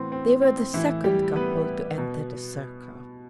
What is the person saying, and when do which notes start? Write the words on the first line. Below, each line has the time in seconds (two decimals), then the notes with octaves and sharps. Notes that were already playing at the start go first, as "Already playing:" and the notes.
They were the second couple to enter the circle.
Already playing: A2 E3 B3 C4
0.12 C4
0.42 C4
0.73 A2 E3 E4
1.04 G3 G4
1.36 B3 B4
1.98 B2